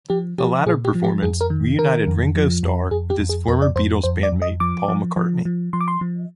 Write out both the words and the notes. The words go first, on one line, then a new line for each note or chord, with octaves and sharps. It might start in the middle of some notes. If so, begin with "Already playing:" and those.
The latter performance reunited Ringo Starr with his former Beatles bandmate Paul McCartney.
F3 G4
F3 G4
A#2 G#4
G4
F3
G4
F2 G#4
A#4
D#3
D#3 A#4
F2
F3
F2
F2 G#4
G4
F2
G#4
F2 A#4
D5
F2 C5
F2 C5
D5
F2
D#5
F3 D6
F3
F3
F3
F3 C6
D6
C6
F3